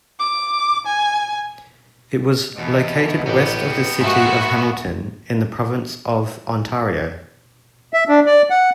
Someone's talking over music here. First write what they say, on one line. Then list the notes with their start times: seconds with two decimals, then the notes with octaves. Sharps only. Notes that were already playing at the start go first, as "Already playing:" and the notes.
It was located west of the city of Hamilton in the province of Ontario.
0.19 D6
0.86 G#5
2.58 E2 B2
3.26 A1 B3 G4 C5 A#5
4.00 G#2 A#3 F#4 E5 F5
7.93 E5
8.09 D4
8.26 D5
8.50 F#5